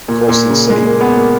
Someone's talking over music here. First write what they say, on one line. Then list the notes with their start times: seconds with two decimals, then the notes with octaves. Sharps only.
Colsten said he would.
0.08 A#2
0.29 A#2
0.49 C#3
0.70 G#3
0.85 A#3
1.01 B3
1.16 A#3